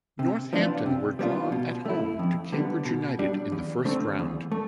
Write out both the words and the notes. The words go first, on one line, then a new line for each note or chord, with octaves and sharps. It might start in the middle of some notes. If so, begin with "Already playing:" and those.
Northampton were drawn at home to Cambridge United in the first round.
C3
F3 B3 D4 F4
C3
G3 B3 D4 F4
B2
A3 E4
F2
D3 G3 B3
B2
G3 D4
E2
D3 A3 C4
E2
A3